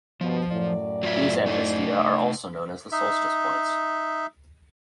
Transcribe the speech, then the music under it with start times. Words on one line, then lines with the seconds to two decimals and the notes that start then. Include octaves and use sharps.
These antiscia are also known as the "solstice points".
0.21 G2 B2 F3
0.52 F#2 A2 D5
1.03 F#3 F4 E5
1.46 A3 D#4 D#5
2.92 D#4 E5